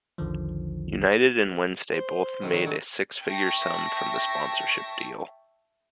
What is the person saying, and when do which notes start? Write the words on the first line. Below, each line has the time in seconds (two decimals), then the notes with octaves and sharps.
United and Wednesday both made a six figure sum from the sponsorship deal.
0.18 A#1 E2 D3 D#3 F3
1.94 C5
2.42 B2 D#3 A3
2.53 D#3 C#5 F#5
2.65 C#3 F#3 D4
3.27 E5 G5 A5 C#6 A#6